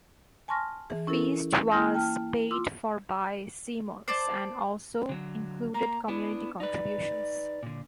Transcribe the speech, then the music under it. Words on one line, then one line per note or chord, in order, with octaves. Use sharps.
The feast was paid for by Simmons and also included community contributions.
G#5 A5 C6 C#6 F6 A#6
E3 G#4
C#4 E4 A4 A#4
A#3 E4 G5 F6 G6 A#6
G5 A5 F6
F4 C6 D6 E6
C5 D5 A5
D3 F#3
A#3 A#5
B3 D4 E4
D#4 B4 D5
A#2 D3